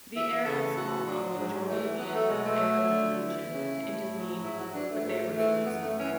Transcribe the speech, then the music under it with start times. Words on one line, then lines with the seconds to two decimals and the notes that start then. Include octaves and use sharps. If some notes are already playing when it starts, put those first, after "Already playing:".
The Arabs called on the Jordanian Arab Legion to intervene but they refused.
0.14 E3 E5
0.45 C#3 A4
0.76 A2 F#4
1.06 F#3 D4
1.37 G#2 G#3
1.68 E3 A3
1.98 F#3 B3
2.14 A3
2.29 B2 G#3
2.44 A3
2.60 F#3
2.90 D3
3.21 E3 E4
3.52 C#3
3.82 A2
4.14 F#3
4.43 G#2 E4
4.60 F#4
4.74 E3 D4
4.90 A3
5.05 G#2 A3
5.36 E3 A3
5.66 F#2 B3
5.82 A3
5.97 E3 C#4